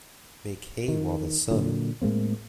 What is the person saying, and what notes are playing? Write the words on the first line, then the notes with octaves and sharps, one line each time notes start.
Make hay while the sun.
D#3
A#2 D3 F#3
A2 G#3 A#3 C4